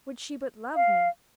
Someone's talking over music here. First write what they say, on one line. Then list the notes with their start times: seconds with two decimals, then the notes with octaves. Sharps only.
Would she but love me!
0.75 F5